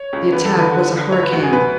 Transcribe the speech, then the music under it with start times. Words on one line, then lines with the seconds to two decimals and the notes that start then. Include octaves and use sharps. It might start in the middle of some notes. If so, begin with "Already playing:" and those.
The attack was a hurricane.
Already playing: C#5
0.13 C#2
0.32 E2 B4
0.45 A4
0.53 D3
0.59 B4
0.72 D3
0.92 D3
1.12 F#3 C#5
1.23 B4
1.32 D2 F#4
1.43 G#4
1.52 F#3 B4